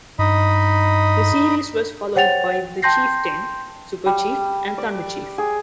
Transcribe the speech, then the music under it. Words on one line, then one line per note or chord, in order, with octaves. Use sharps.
This series was followed by the Chieftain, Superchief, and Thunderchief.
G2 D#4 D#5 B5
C5 C#5 F#5 G5 A6 F7
G5 A5 C6 G6 A#6 C7
G3
D5
G#4